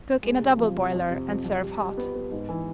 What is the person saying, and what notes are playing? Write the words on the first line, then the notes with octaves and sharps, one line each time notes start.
Cook in a double boiler and serve hot.
G#3
C3
F3
C3
F2
C3
F2
F2
G3
G3
B3
B3
G#2
E3